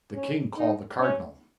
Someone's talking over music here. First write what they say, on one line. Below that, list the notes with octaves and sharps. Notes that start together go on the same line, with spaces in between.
The king called the cardinal.
C#4
D#4
C#4